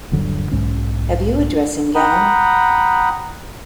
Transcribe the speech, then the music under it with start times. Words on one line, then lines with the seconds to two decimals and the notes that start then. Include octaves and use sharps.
Have you a dressing-gown?
0.11 D#1 G2 D3 F#3
0.51 B1 G#2 G#3 C#4
1.96 F#5 G5 A#5 B5 D#6